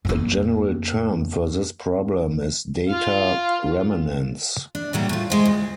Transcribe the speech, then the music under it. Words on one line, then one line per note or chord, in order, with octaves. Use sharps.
The general term for this problem is data remanence.
F2 A#3
F4 F5
D4
A2 F#3 G3 A#3
A3 F4
G#3 C5
D2